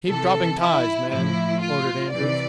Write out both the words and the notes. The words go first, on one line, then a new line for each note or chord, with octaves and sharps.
"Keep dropping ties, men," ordered Andrews.
C3 E3 A4
E4
A2 F3 E4
F4
C3 E3 D5